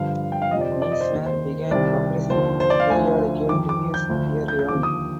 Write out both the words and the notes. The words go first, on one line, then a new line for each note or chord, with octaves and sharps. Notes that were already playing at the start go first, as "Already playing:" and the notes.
Meissner began publishing periodical reviews early on.
Already playing: G2 D3 F3 F5
G5
F5
F2 C3 F3 D#5
D5
C5
D5
D#5
C5
D#2 D#3
C5
C2 C3 D#3 D5
D#2 D3 F3 C5
C5
D5
F5
D2 D3 F3 G#5
F2 D#3 D6
D6
G6
D2 D3 F3
G6
G6
D#2 D3 F3 D6
D#6